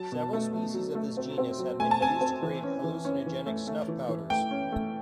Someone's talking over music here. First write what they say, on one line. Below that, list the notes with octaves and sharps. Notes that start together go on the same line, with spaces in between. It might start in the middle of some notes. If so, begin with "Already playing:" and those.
Several species of this genus have been used to create hallucinogenic snuff powders.
Already playing: F#3 A5
B2
A3
A3
F#3
A3
C4
C4
F#3
A3 G#5
A5
C4 G#5
C4
E3
C#4
E3
C#4
E3
A3
A3
E3
E3
A3 G5
C#4
A3